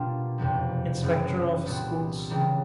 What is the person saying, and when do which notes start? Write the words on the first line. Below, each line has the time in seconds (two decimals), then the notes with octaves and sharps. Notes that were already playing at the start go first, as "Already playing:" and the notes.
Inspector of Schools.
Already playing: B2 G3 A#3 D4 F4
0.38 F1 E2 C3 F3
1.02 F#1 F#2 C#3 E3
1.66 C2 A#2 G3 B3 D4
2.30 C#3 E3 G3 A#3 D4